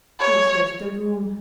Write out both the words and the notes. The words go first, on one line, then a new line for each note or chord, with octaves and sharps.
He has left the room.
C#5